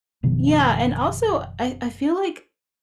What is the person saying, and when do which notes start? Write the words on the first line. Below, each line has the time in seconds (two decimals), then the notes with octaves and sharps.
Yeah, and also I I feel like,
0.23 F#1 B2 D#3 F3